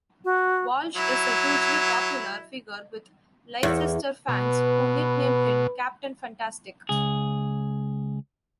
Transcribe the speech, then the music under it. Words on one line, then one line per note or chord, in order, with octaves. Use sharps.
Walsh is a hugely popular figure with Leicester fans, who nicknamed him "Captain Fantastic".
F#4
F#3 E4
E2
B2 B4
C#2 G#4